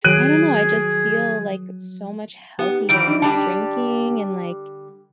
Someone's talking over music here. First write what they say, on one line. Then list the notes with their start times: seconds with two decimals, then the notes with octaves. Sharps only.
I don't know. I just feel, like, so much healthier not drinking, and, like,
0.04 D#3 F#3 G#4 F#6 D7 D#7
2.59 B3 D#4 G4
2.89 D#3 E3 G3 D7
3.08 D4 D#4
3.22 D3 G3 D4 G4 A5